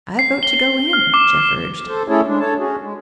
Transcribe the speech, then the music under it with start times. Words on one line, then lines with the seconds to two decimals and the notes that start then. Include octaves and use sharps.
"I vote to go in," Jeff urged.
0.19 C7
0.43 G7
0.93 F6
1.14 D6
1.88 A4 C5
2.08 A3 C#4 E4 G#4 A4 C#5
2.26 G#3 D4
2.40 A4 C#5 A5
2.59 C#4 F#4 G#4
2.82 G#3